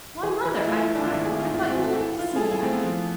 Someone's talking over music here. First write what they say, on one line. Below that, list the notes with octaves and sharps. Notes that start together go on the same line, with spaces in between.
"Why, mother!" I cried, "I thought you liked to see me happy!"
E3 G#4
E3
E4
A3 F4
E4
A3
D4
F4
G#1 E4
G#4
G#1
F4
G#1 E4
C4
E3
A4
E4
E4 F4
G#4
E4 A4
G#4
A3 C4
B3
F3